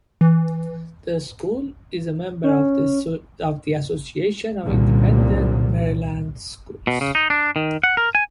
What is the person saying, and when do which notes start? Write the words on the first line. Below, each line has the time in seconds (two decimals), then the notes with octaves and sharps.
The school is a member of the Association of Independent Maryland Schools.
0.21 E3
2.44 C#4
4.65 C2 F#2 A#2 D3 G3
6.87 B2
7.01 C#3
7.15 D#4
7.30 D4
7.56 D#3
7.83 F#5
7.97 A#4
8.15 G#5